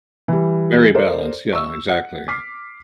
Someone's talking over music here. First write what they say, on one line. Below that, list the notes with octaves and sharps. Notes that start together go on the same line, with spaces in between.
very balanced. Yeah, exactly.
E3 G3
A4 A#4 C5 D5
C#6 E6
F#5
D6 F6 B6 C7